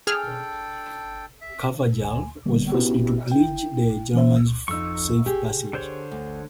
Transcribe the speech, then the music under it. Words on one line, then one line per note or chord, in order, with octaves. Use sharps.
Carvajal was forced to pledge the Germans safe passage.
D4 G#4 A4 G5 F6
E5
D2 G#5
D3 G3 A#3 B3
B3 C#4 E4 F#4 G4
E4 G5
E3 C#4 C5 E5
F2 D#4 C#6 E6
G4 G#4
D3 C5 C#5
D2